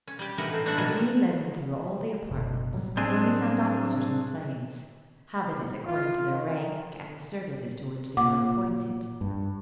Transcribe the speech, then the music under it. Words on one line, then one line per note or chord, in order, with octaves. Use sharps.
The genie led him through all the apartments, where he found officers and slaves, habited according to their rank and the services to which they were appointed.
C#4
G3 G4
E3 D#4 F#4 A#4 B4
A2 C4
B2 G3 C4 D4 E5 F#5
D#3 G3 C#4 A#4 A#5
F#1 B2 D3
A2 F#3 G3
C4 D4 G#4
F4
D#3
A#2 F#5 D6
G2